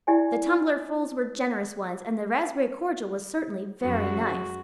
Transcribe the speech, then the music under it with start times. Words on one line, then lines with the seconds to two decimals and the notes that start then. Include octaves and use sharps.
The tumblerfuls were generous ones and the raspberry cordial was certainly very nice.
0.07 E4 G4 D5 E5 G5 G#5
3.81 F#2 G#3 F#4